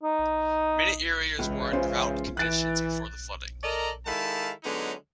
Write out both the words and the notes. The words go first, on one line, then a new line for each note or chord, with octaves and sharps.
Many areas were in drought conditions before the flooding.
D#4
C#2 C#3 E3 G#3
C#4 F4 C5
E3 F#6 A6 D7
A4 A#4 D5 D#5 A#5
D#3 G#3 E4 A4 F5 A5
D3 F#3 G#3 B3 C#4 D#4